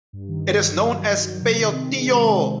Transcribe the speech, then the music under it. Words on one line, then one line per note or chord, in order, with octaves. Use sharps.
It is known as "Peyotillo".
G2
D#3
G2
F#3
G2
D#3
G2
F#3
C3
D#3
C4
G#3
C3
D#3
C4